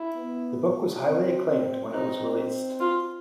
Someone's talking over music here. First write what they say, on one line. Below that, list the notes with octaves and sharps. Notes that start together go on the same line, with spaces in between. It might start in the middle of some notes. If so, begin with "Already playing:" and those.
The book was highly acclaimed when it was released.
Already playing: E4
B3
C4
C4
C4 D#4
F4